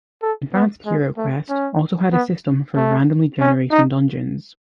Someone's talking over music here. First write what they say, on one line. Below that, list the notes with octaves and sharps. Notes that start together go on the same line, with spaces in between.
Advanced HeroQuest also had a system for randomly generating dungeons.
A4
B3
G#3
A3
C#4
B3
A3
C#4
D#4